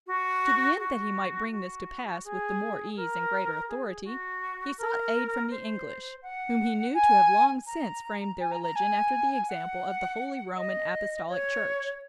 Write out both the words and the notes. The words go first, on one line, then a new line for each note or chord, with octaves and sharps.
To the end that he might bring this to pass with the more ease and greater authority, he sought aid from the English, whom he knew to have long since framed their religion after the example of the holy Roman Apostolic Church.
F#4
F#4
F#4
G#4
A#4
G#4
F#4
A#4
C5
F#5
G#5
A#5
G#5
A#5
A#5
G#5
F#5
D#5
C#5